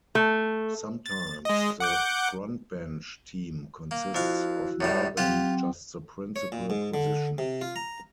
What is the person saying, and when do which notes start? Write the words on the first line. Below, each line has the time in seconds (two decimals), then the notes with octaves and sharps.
Sometimes the frontbench team consists of more than just the principal positions.
0.15 A3
1.06 A6
1.45 G#3 D#5
1.80 F#5 D6 G6
3.91 A#3
4.15 F2 E4 F#4 F5
4.81 F#2 A2 G3
5.17 F#3 C4 F4 G4 F#5 G5
6.36 C#5
6.52 A#2
6.70 G#2
6.94 D3
7.38 C3
7.62 F4
7.76 A#5